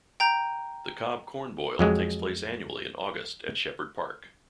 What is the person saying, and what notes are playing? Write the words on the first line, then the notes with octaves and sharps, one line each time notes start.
The Cobb Corn Boil takes place annually in August at Shepherd Park.
G5 A#5 G6
F2 F#3 G#3